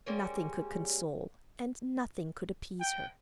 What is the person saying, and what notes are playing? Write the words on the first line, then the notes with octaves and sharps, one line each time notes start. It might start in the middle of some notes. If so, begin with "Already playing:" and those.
Nothing could console and nothing could appease her.
G3 G#3 A#3 C#4
G5